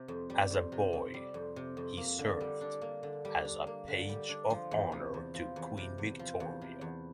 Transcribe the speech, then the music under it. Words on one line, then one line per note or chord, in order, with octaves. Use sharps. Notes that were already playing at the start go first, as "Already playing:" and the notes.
As a boy, he served as a Page of Honour to Queen Victoria.
Already playing: C3
F2
G3
F2
C3
F2
G3
F2
C3
F2
A#3
D3
G3
D4
A#3
D3
G3
D4
A#3
D3
G3
D4
F3
E2
C3
E2
F3
E2
C3
E2
F3
E2
C3
E2